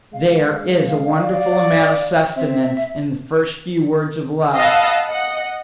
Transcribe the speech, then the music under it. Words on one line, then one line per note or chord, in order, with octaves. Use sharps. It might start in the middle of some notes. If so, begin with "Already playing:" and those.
There is a wonderful amount of sustenance in the first few words of love.
G#3 F5
D5
C4 E5
D#5 F5 F#5 A5 B5 E6
D#5 F#5